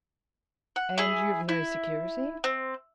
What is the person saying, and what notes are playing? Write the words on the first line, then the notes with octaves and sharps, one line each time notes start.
"And you've no security?"
F#5
E4 G#4
E4
C4